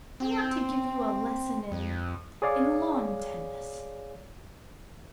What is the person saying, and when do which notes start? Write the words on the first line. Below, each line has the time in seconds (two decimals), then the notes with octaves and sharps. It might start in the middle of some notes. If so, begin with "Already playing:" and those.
"I want to give you a lesson in--in lawn tennis."
0.20 C4
1.72 F2
2.42 G#4 C#5 D5 F5